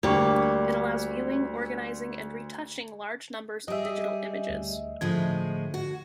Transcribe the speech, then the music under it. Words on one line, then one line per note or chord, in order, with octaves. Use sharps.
It allows viewing, organizing and retouching large numbers of digital images.
D2 G3 A#3 C#6
G3 G#4 D#5 E5
D2
A2 D3 F3 G#3 G#6
F#4